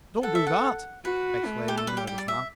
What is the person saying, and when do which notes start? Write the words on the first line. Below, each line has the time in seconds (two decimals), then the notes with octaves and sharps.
"Don't do that!" exclaimed the nervous man.
0.23 A4 F#5
0.35 E5
0.47 F#5
1.05 F#4 B4
1.46 A3
1.68 G4
1.77 A4
1.87 G3 B4
1.97 G4
2.07 G4
2.18 D5
2.28 E5